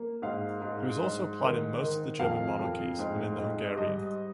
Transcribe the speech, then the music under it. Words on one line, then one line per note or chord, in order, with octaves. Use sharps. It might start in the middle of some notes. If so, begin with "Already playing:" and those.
It was also applied in most of the German monarchies and in the Hungarian.
Already playing: A#3
G#2 F5
G#2
G#2
D#3
D#3
F2 F5
F2
G#2
G#2
G3 D#5